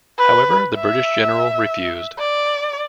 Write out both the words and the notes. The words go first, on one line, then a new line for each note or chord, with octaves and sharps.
However, the British general refused.
B4
E5
D5